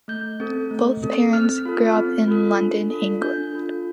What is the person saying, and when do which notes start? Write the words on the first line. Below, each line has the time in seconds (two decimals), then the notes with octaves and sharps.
Both parents grew up in London, England.
0.08 A3 G6
0.40 C4 A4
0.71 A3
1.03 C4 A4
1.33 C4 F6
1.65 F4 A4
1.97 C4
2.28 F4 A4
2.59 D4
2.90 F4 A4
3.21 D4 G6
3.53 F4 A4